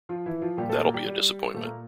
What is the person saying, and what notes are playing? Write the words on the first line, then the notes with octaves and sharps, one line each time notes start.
That'll be a disappointment.
F3 F4
E3 E4
F3 F4
A#2 G3 G4
A3 A4
A#3 A#4
G3 G4
G3 G4
A#2 A3 A4
A#3 A#4